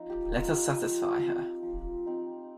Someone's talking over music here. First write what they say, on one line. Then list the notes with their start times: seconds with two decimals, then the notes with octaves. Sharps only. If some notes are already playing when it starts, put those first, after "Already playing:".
Let us satisfy her.
Already playing: F3 C4 D#4
0.10 G4
0.31 C4 D#4 F4
0.54 G4
0.75 F3
1.19 C4 D#4
1.63 F3
2.06 C4 D#4